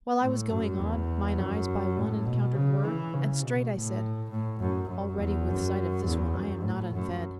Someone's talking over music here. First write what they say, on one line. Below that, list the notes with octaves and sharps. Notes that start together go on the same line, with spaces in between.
While I was going on, mine eyes by one Encountered were; and straight I said: "Already With sight of this one I am not unfed."
A2
F#2
E2
F#2
A2
B2
C#3
E3
C#3
B2
A2
A2
F#2
F#2
E2
F#2
E2
F#2
A2
F#2